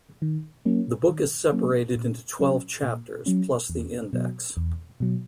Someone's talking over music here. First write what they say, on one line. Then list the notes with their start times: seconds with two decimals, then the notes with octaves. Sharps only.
The book is separated into twelve chapters, plus the index.
0.22 D#3
0.65 F#3 A#3 C#4
1.09 D#3
1.52 F#3 A#3 C#4
1.96 A#2
2.39 F#3 C#4
2.83 A#2
3.26 F#3 C#4
3.70 E2
4.13 B2 F#3
4.57 E2
5.00 B2 F#3